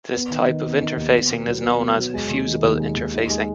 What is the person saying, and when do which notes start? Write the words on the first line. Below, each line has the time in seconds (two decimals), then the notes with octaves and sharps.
This type of interfacing is known as "fusible" interfacing.
0.14 B3
0.31 D#3
0.47 D#3
0.64 B3
0.80 D#3
0.97 D#2
1.14 B3
1.30 B2
1.47 F#3
1.63 B3
1.80 B2
1.97 F#3
2.14 G#3
2.30 D#2
2.47 D#3
2.63 D#2
2.80 G#3
2.97 D#2
3.14 D#4
3.30 G#3